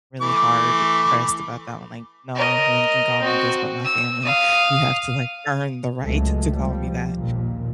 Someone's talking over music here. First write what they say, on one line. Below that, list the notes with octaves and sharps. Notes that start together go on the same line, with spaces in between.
really hard pressed about that one, like, "No one can call me this but my family." You have to, like, earn the right to call me that.
E3 A3 D6
A#4 D#5
C4 F#4
E6
F5 D#6
C#2 A#2 F#3 G#3 A3
F3 G3
A#1 D#2 A#2